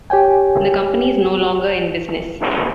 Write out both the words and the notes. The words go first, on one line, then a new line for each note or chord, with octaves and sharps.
The company is no longer in business.
G4 C#5 G5 G#5